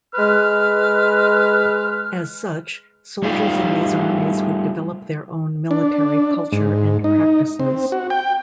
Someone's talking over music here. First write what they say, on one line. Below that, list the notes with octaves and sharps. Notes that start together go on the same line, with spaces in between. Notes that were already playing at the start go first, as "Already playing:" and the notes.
As such, soldiers in these armies would develop their own military culture and practices.
G#3 B4 F6
G3 A3 D#4 F4 G4 D5
D4
G#2
D#4
C4
F#4
G5